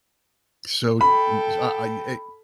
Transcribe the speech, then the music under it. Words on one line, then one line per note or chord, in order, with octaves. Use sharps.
So n I e eh
A4 G5 B5